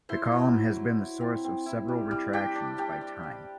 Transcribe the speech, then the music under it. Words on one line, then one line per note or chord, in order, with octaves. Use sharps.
The column has been the source of several retractions by "Time".
E4 C5 C6
F#3
E4
F#3
E4
C4
C4
E4
G3
G3
D4 G4 G5
D4
D4 G4 G5
D4
G3